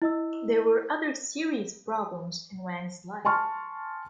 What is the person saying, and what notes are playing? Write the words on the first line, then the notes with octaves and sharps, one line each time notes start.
There were other serious problems in Wang's life.
E4 D#5 E6
G#5 A5 C6 C#6 F6